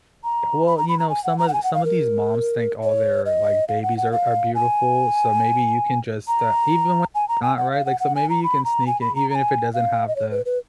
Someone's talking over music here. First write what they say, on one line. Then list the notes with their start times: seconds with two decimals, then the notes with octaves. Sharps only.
Ju well, you know, some of some of these moms think all their, like, babies are are beautiful, so maybe you can just, uh, even when not right, like, so maybe you can sneak it, even if it doesn't have the
0.24 A#5
0.67 B5
0.78 A#5
0.89 B5
0.99 A#5
1.10 G#5
1.24 F#5
1.39 A#5
1.48 F#5
1.53 G#5
1.64 F#5
1.74 F5
1.85 A#4
2.83 C#5
3.26 D#5
3.68 F5
3.83 F#5
3.97 F#5
4.12 F5
4.55 G#5
6.28 A#5
7.15 G#5
7.29 A#5
7.43 G#5
7.57 F#5
7.72 F5
7.86 F#5
8.00 F#5
8.15 G#5
8.30 A#5
8.44 B5
8.65 A#5
8.87 G#5
9.01 B5
9.16 A#5
9.30 A#5
9.35 G#5
9.74 F5
10.08 D#5
10.16 C#5
10.31 B4
10.46 B4